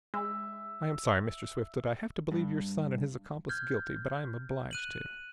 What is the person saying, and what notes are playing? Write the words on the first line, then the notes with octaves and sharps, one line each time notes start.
I am sorry, Mr. Swift, that I have to believe your son and his accomplice guilty, but I am obliged to.
G#3 E5
G2
F6 G6 G#6
F#6 D#7 F#7